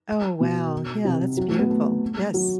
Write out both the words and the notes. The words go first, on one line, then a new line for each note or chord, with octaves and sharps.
Oh, wow, yeah, that's beautiful, yes.
B2
C3
F#3
A3
B3
A3
F#3